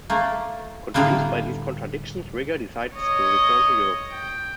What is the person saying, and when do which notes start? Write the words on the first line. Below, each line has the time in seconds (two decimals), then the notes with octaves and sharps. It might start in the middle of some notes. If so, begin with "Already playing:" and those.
Confused by these contradictions, Rigger decides to return to Europe.
0.10 A3 A#3
0.94 A2 D3 G3 A#3 B3
2.96 C#5 D#5
4.12 G5